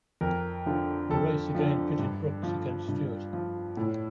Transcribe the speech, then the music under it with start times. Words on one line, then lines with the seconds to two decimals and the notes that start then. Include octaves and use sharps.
The race again pitted Brooks against Stewart.
0.21 F2 A#4
0.66 D3 F3
1.10 F2 A4
1.55 D3 F3
1.99 G2
2.43 F3
2.89 G2
3.33 F3
3.77 A2